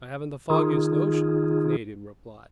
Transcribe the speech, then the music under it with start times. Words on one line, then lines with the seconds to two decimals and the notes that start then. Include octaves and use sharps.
"I haven't the foggiest notion," the Canadian replied.
0.50 D#3 D#4 F4 G#4